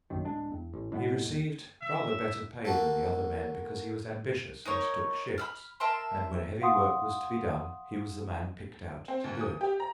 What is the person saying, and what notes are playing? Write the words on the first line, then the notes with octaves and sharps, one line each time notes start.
He received rather better pay than the other men because he was ambitious and took shifts, and when heavy work was to be done he was the man picked out to do it.
F1 A#1 F#2 D#3
D1 G#3 D4
E2
A1
A2 G#3 A#3 B3
D#2
E5
A#3 F#4 A4
D#4 A#4 C#5
B5 E6 F6
A#4 E5 A5 C6
F5 F#5 C6 D#6
C4
D2
D#6
G4
A#5